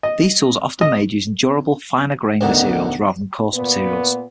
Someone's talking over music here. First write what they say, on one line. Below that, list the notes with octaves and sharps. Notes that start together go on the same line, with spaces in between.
These tools are often made using durable finer-grained materials rather than coarse materials.
D#5
D#5
A1 D2 B2 D3 D#3
A#2 B3